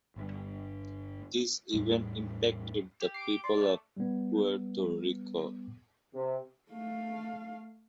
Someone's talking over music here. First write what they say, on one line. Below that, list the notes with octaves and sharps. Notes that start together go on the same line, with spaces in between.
This event impacted the people of Puerto Rico.
G1 G2
E2 A2 G3
G4
D6 C7
D5 C6
A3
G3 B3
C3
A3 F5